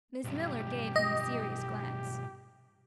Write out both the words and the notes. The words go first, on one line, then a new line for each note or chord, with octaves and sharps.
Miss Miller gave him a serious glance.
B1 G2 G4
D#5